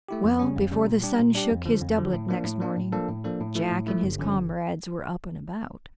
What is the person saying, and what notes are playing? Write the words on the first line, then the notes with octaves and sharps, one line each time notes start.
Well, before the sun shook his doublet next morning, Jack and his comrades were up and about.
A3 E4 G4
F2
C#3 G3 C#4
F2
C#3 G3 C#4
A#2
G3 D4 G4
A#2
G3 D4 G4
F2
D3 F3
F2
D3 F3
A2
F3 A#3 D4
A2
F3 A#3 D4
A2
F3 A#3 D4 A4
A2
F3 A#3 D4 A4
A2
F3 A3 E4
A2
F3 A3 E4
G1
G2 D3 F3 C#4
G1